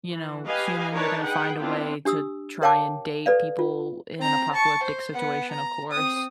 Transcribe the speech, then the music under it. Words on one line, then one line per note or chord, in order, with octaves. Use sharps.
you know, humans are gonna find a way to try and date people in an apocalyptic situation, of course.
E3
G4 B4 D#5 F5 G#5
D4 D#4 A#4 B4 C#5 A5
G#4 B4 F#5 G5
B3 C4 D4 E4 F4
D4 G4 D#6 E6
A#4 C#5 F5 G5 A5 D6
A4 B4 D5 F5
F4
C4 A#5
A5 C#6
C5
B3 F#5
A#5
C4 D#6